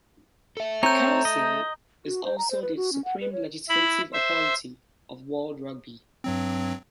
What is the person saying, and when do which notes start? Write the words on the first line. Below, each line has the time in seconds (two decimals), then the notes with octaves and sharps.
The Council is also the supreme legislative authority of World Rugby.
0.57 A4 E5
0.83 C4 C#5 A#5 G6
1.25 D#5
2.05 F#4
2.24 C5
2.38 A#5
2.50 C5
2.62 B4
2.76 F#4
2.93 C#4
3.04 F#5
3.21 B4
3.33 C#5
3.69 E4 B5
4.13 C5 E5
6.24 G2 F#3 C4